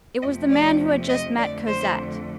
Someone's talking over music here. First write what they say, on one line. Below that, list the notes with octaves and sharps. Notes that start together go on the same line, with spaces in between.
It was the man who had just met Cosette.
F2 C3 F3 A3 D#5
D5
D#5
F2 D3 A3 D5
C5